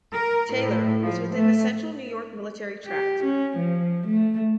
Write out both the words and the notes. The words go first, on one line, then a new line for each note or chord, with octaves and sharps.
Taylor was within the Central New York Military Tract.
A#4
A2
F3
A3
G4
C#4
F3
A3